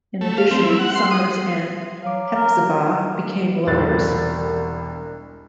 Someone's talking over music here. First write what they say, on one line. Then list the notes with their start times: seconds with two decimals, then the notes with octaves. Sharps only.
In addition, Summers and Hepzibah became lovers.
0.21 A3
0.38 F5
0.51 C4
0.64 E4
0.79 F#5
0.95 C6
1.11 D#6
2.02 F#3 F5 D6
2.35 A#4
3.67 E1 C2 A6